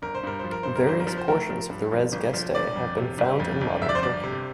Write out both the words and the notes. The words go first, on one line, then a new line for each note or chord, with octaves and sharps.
Various portions of the "Res Gestae" have been found in modern Turkey.
G1 A#4
C5
G2 A#4
F3 C5
A#4
G2 C5
A#4
G1 C5
A#4
F3
C5
A3 A#4
F3
G2
F3
G1
F3
G1 D5
F2
C3
G1
F2
G1
F2 E5
D5
C5
G1 D5
C3